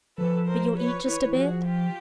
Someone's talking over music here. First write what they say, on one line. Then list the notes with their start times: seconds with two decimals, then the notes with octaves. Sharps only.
But you'll eat just a bit?
0.17 F3 A4 B4
0.47 A#4 C5
0.76 B4 C#5
1.05 E3 B4 C#5
1.24 E3
1.34 F3 F#4 G#4
1.63 F4 G4